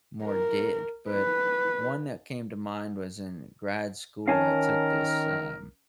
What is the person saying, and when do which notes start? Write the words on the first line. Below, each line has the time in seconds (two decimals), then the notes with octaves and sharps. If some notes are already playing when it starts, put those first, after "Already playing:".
more did, but one that came to mind was in grad school, I took this, um,
0.24 A#4
1.10 B4
4.28 D#3 C#4 A#4 F5 G#5 A5